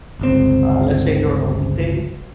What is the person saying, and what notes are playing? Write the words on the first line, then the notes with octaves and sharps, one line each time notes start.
uh, let's say during a weekday,
G1 C#2 C4